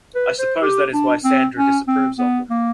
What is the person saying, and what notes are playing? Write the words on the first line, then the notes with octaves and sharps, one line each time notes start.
I suppose that is why Sandra disapproves of them.
B4
C5
G4
D4
C4
C#4
C4
B3
A#3